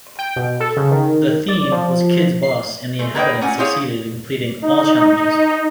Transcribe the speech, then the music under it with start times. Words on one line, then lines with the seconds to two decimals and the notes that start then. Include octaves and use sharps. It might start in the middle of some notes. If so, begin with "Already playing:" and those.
The theme was "Kids boss" and the inhabitants succeeded in completing all challenges.
0.19 G5
0.36 B2
0.60 A4
0.77 C#3
0.91 D#3
1.48 D5
1.72 F3
2.43 C7
2.99 G#3 A3
3.15 A#3 B4 D#5 G5
3.41 A#2 C#4 F#5 G#5
3.59 C4 E4 G4 G#4 C#5 F5
4.62 D#4